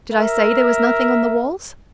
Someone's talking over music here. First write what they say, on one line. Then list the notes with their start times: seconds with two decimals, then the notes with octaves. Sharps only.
Did I say there was nothing on the walls?
0.12 A#4 E5